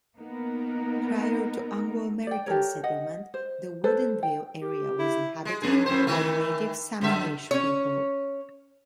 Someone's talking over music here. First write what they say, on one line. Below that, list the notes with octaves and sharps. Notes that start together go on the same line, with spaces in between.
Prior to Anglo-American settlement, the Woodinville area was inhabited by the native Sammamish people.
A#3 B3 D#4 A#4
D5 G5
G4 A4 A#4 C#5
D#5 F#5
C5
A4 B4 C5
G5
G4
E4
G#3
F2 D4 G#4
F2 A2 C5
D#3 E3 A3
F#2 D3 E5
C#4 C#5